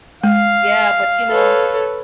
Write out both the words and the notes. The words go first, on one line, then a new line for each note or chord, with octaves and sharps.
Yeah, but, you know,
G#3 F5
A4 B4 C#5